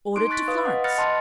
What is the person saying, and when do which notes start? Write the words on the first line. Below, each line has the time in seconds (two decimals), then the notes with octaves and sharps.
Ordered to Florence.
0.16 D#4 C6 D6 F#6 D7
0.30 C#6 F#6 A6 B6
0.48 B4 F5 D#6
0.65 D#5 F#5
0.84 B5 F6 F#6 A6 A#6 C#7
0.98 D#5 A5 C6